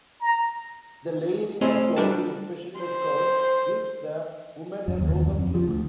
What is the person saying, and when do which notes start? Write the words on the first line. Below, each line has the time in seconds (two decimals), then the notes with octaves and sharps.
The layering of clothing, especially the skirts, gives the women a robust look.
0.21 A#5
1.61 A3 C4 C#4 E4 D#5
1.96 G3 D4 F#4 A4
2.80 C5
4.88 F#2
5.02 D#2
5.15 D#2
5.27 F#2
5.39 F2
5.55 F3
5.68 D2